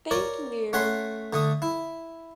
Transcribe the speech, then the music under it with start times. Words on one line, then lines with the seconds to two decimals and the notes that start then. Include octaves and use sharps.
Thank you.
0.11 A#4 C#5 D5
0.73 A3 C#4 F#5 G#5 B5 C6
1.33 D3 A3 D#6
1.62 E4